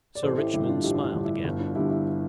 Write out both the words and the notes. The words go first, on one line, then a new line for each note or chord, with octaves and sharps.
Sir Richmond smiled again.
D5
A1 A4 C5
E4 G4
G2 D3 E4 G4
D4 F4
A1 E4 G4
D4 F4
G2 D3
E4
G1 E4
D4 F4
G2 D3 E4 G4
E4